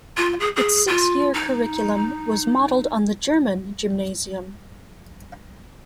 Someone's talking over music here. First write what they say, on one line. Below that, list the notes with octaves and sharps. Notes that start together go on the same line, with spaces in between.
Its six-year curriculum was modeled on the German gymnasium.
F4
G#4
G#4
F4
D#4